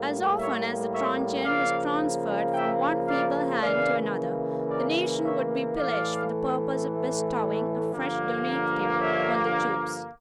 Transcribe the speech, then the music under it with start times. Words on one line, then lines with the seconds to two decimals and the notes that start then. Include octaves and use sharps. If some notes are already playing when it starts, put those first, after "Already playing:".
As often as the truncheon was transferred from one feeble hand to another, the nation would be pillaged for the purpose of bestowing a fresh donative on the troops.
Already playing: A2 G3 A#3
0.38 C#5 E5
0.92 C#5 E5
1.45 C#3 F3 A#3 D5 F5
2.53 E5 G5
3.07 D5 F5
3.61 C#3 E3 A#3 D5 F5
4.68 A#4 D5
5.22 C#5 E5
5.76 A2 E3 A3 D5 F5
7.92 G2 D3 F3 A#3
8.99 C#5 E5